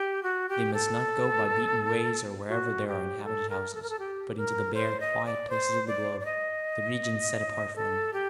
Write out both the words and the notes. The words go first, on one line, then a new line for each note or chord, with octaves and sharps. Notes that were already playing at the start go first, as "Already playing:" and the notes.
They must not go by beaten ways or wherever there are inhabited houses, but into the bare, quiet places of the globe--the regions set apart for them.
Already playing: G4
F#4
G4
A4
F#4
G4
A4
A#4
A4
A#4
A4
G4
A#4
C5
D#5
D5
C5
D5
D5
D#5
A4
G4